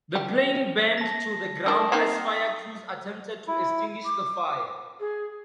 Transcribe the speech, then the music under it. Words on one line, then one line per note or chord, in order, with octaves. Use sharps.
The plane burned to the ground as fire crews attempted to extinguish the fire.
G4
A5 A#6
D#3 D4 D#6
A#3 C4 D#4 C7
E4
D6
G#4